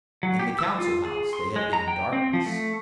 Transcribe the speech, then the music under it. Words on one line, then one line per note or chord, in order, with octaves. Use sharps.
In the Council House they had been in darkness.
F#3
G4
E6
F4
G#4
C6
G#3
A#5
G5
C4
F3
A3